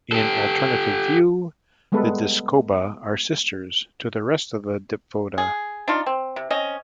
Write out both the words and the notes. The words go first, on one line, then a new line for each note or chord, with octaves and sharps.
In alternative view, the Discoba are sister to the rest of the Diphoda.
G4 A4
G3 G#3 B3 A4 B4
G#4
D4 D#4 F4
C4
C3
C4 C#4 D#5